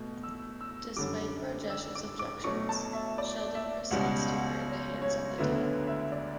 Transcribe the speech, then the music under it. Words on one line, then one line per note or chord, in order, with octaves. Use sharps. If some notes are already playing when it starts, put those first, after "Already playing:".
Despite Rajesh's objections, Sheldon proceeds to wear the hands on the date.
Already playing: B2 A3
E6
E6
F#2 D3 G3 D6
E6
D6
D6
B2 F#3 A3 C#6
A5
E5
D5
E5
C#2 B2 G3 F#5
F#5
C#5
D2 D3 F#3 B3 E5
E5
D5